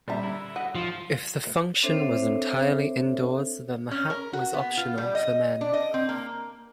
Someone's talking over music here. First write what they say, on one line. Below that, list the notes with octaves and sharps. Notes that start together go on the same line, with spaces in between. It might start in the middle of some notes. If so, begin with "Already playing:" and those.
If the function was entirely indoors then the hat was optional for men.
A#2 G3 C5 E5 A#5
D3 E4
E4 F#4 D#5 F#5
F3 C5
C4 D4 A4 C5 C#5 E5
C#4
A#4
F#4
B3
F4
G3
D#5
D4
D#5
C4
A#3